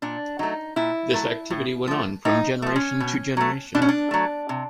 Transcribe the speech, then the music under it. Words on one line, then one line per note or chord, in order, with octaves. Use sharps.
This activity went on from generation to generation.
A#2 D4
F#3 A3 D#4
A#2 E4
F#3 A3
A2
F3 A3
A2 D#4
F3 A3
C#4
B2
F#3 A3
B2 D4
C#4
D4
F#3 A3
C3